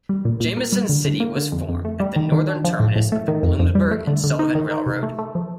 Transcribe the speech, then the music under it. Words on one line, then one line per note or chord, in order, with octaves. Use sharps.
Jamison City was formed at the northern terminus of the Bloomsburg and Sullivan Railroad.
G3
A#2
A#2
A#3
G3
D3
D3
A#3
D3
F2
F2
A3
G3
D#3
D#3
D4
F3
A2
A2
A3
D#3
F2
F2
G3
A3
D3
D3
D#4
D#3
D#4
C3
A3
A3
F3